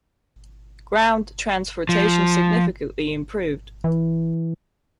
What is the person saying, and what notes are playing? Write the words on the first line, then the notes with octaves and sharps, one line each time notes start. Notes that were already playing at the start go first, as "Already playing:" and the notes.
Ground transportation significantly improved.
F3
E3